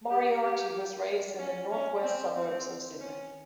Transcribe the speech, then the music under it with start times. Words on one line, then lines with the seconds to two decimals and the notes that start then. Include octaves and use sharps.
Moriarty was raised in the north-west suburbs of Sydney.
0.10 G4
0.42 G4
1.39 C#4
1.72 C#4
2.03 C4
2.36 C4
3.01 C#4